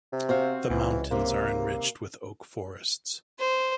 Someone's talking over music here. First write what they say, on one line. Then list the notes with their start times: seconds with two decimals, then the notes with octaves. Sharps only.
The mountains are enriched with oak forests.
0.12 C3
0.29 C4 F#4 F5
0.70 C#2 E3
1.11 D#2 C3 A#3
3.39 C5